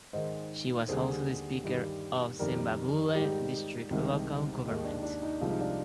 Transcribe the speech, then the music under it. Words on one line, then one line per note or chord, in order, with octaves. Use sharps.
She was also the speaker of Sembabule District Local Government.
G#2 D#3 G#3 C5 D#5
D#2 D3 G3 G#4 C5
G2 D#3 G3
F2 D#3 G3 A#4 D5
G#2 D#3 G3 D#4 G4
C2 C3 D#3 G#3
D#2 D#3 G#3 D#4
D4
D4
D#4
C2 C3 F3 G#3 F4
D#4
D4 F4